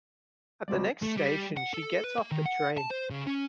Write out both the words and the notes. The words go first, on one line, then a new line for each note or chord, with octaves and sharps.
At the next station, she gets off the train.
C#2 G3 G#3 C4 F#4 D5
A3
G3
F#5
A4
B4
A#3
D#3
F#5
A5
C5
C#3
C#4